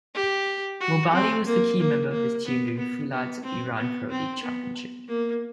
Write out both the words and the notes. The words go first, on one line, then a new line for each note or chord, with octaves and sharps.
Mobali was the key member of his team during Foolad's Iran Pro League championship.
G4
F#4
C4
A#3
A#3
A#3
B3
B3
B3
C4
B3
C4
B3
A#3